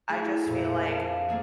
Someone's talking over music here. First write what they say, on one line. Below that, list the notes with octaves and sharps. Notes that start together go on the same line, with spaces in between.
I just feel like
A3 D4 E4 G#4
F2 A#2
F5 A5
A3 A#3 D4 G#4